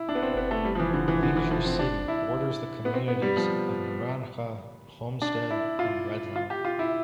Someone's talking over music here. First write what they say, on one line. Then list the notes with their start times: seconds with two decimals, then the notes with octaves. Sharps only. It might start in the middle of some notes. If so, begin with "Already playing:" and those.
Leisure City borders the communities of Naranja, Homestead, and Redland.
Already playing: E4
0.09 D4
0.15 B3
0.23 C4
0.37 B3
0.51 A3
0.65 G3
0.75 F3
0.80 E3
0.94 D3
1.08 E3
1.23 D3
1.36 E3
1.51 F3
1.65 C4
1.79 D4
2.08 E4
2.85 B3
2.94 C4
3.08 B3
3.22 G3
3.37 F3
5.22 D4
5.51 E4
5.79 F4
6.36 F4
6.50 G4
6.65 F4
6.79 E4